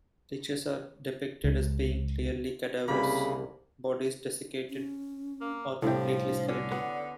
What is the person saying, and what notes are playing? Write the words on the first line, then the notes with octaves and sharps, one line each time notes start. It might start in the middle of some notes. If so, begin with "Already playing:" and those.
Liches are depicted as being clearly cadaverous, bodies desiccated or completely skeletal.
C#2
C2 C#3 A#3 B5
C#4
A#3
C2 A2 F3 D4 G4
D3 C#4
B3 B4 D5